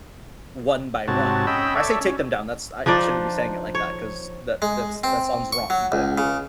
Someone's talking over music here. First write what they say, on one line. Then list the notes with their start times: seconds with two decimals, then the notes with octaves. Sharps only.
one by one. I say take them down, that's I shouldn't be saying it like that ‘cause that that's that sounds wrong, but
1.08 G#2 C3 F#4 C#5 A5
1.47 C#4 D#5 G5 B5 E6
1.75 A4 C#5 D5 E5
2.01 C#4
2.86 F3 D4 D#4 D5
3.75 C#5
4.62 G#3
5.04 C4
5.53 C#6
5.70 F#3
5.92 C#2
6.18 C#3